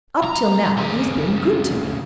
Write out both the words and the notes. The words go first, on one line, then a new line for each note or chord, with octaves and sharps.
Up till now he has been good to me.
C2 A#5
D#2 C#3